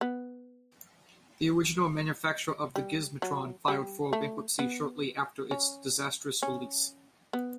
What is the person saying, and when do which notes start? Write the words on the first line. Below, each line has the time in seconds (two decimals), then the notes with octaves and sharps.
The original manufacturer of the Gizmotron filed for bankruptcy shortly after its disastrous release.
0.01 B3
2.76 G3
3.22 F#3
3.68 G3
4.13 A3
4.59 B3
5.51 C#4
6.43 C#4
7.33 B3